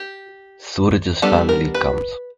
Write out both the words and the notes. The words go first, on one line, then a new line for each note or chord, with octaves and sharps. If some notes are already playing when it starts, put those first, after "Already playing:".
Suraj's family comes.
Already playing: G4
G3 B3 D4 A4
A#4
B4